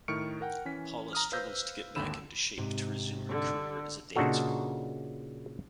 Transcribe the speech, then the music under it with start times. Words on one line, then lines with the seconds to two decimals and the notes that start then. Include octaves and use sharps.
Paula struggles to get back into shape to resume her career as a dancer.
0.08 A2 D#3 C#6 F6 C#7 D7
0.41 A#4 F#5 G5
0.65 E3 C#4 B6
1.13 A#5 D#6 F6
1.32 B4 C5 F5 E6 G6 A#6
1.96 G#1 D#2 D3 B5 E6 E7
2.58 G#2 C3
3.29 D3
4.16 A#2 C#3 D4 D#4 F#4 A4